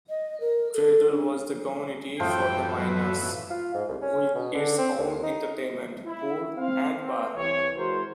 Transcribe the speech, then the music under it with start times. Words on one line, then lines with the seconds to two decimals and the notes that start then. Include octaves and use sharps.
Treadwell was the community for the miners, with its own entertainment, pool, and bar.
0.09 D#5
0.40 A#4
0.74 A4
1.12 D4
2.20 F#2 A2 E3 F3 G5
2.78 F#3 B4
3.50 F4
3.74 G#2
3.89 C2
4.02 C#4
4.35 B2
4.54 D3
4.78 C4
4.98 D#2
5.23 D#4
6.06 E4
6.57 C4 F5
7.00 B3 C4
7.35 C2 E3 C#5
7.76 E3 G#3 F#4 A#4 C5